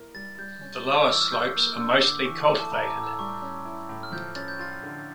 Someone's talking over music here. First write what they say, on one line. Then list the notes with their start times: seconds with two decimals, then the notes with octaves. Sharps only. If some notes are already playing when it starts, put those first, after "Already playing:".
The lower slopes are mostly cultivated.
Already playing: A#3 E4 A#4
0.14 G3 A6
0.38 G3 G6
0.61 C#4
0.85 G4
0.91 C#6
1.02 D6
1.09 E3 E6
1.21 F6
1.31 F3 G6
1.56 A#3
1.78 D4 E6
2.02 D3 D6
2.25 E3 C#6
2.37 C#6
2.43 D6
2.49 A3 C#6
2.60 A5
2.72 A2 A#5
2.87 D6
2.96 A2
3.04 E6
3.19 G3 C#6
3.42 C#4
3.65 E4
3.89 A2
4.03 F6
4.12 F3 G6
4.36 C#4 A6
4.48 G6
4.59 F4 A6
4.83 D3